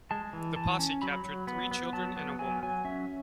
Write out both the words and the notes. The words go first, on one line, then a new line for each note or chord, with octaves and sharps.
The posse captured three children and a woman.
G#3 A5
E3
E3 A5
C#4
F#3 B5
F#3
B3 B5
B3
F#3 A5
B3
F#3 G#5
F#3 G#5
C#4 E5